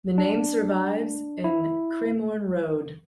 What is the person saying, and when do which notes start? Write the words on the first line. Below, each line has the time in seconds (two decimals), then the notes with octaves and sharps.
The name survives in Cremorne Road.
0.18 D4
1.44 E4